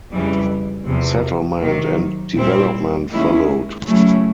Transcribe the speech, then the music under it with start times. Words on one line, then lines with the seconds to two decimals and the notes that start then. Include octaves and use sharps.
Settlement and development followed.
0.11 F2 C#3 E3 G3
0.86 E2 C3 F3
1.60 C3 D#3 F#3 A#3
2.36 A#2 G3 C4 E4
3.10 D#2 D#3 G#3 C#4 E4
3.84 C#3 F#3 A3 C#4 E4